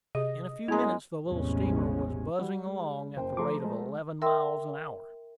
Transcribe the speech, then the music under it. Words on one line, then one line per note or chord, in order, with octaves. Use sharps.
In a few minutes, the little steamer was buzzing along at the rate of eleven miles an hour.
C3 G#4 D#5
F#2 G#3 B3 E4 A#5
A1 E2 C3 G#3 C#4
G3 F#4
G#3
F#1 C5 G5
F3 A3 A#5 C6 D6
G#3
A#4 E5 G5 C6 E6